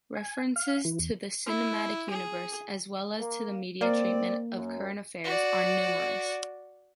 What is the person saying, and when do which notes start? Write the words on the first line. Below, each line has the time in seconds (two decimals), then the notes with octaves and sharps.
References to the cinematic universe, as well as to the media treatment of current affairs are numerous.
0.15 G#5
0.56 F5
0.85 E3
0.99 E2
1.46 E4
2.10 G#4
3.19 A#3
3.81 A#3 C4 D5
4.57 F#2
5.25 F#4 D5